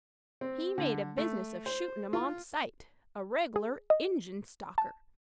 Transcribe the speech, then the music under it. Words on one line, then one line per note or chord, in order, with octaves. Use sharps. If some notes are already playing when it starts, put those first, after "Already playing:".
He made a business of shootin' 'em on sight--a reg'lar Injun stalker!
C4
D3
A3
C5
F4
G#4
D#5
A5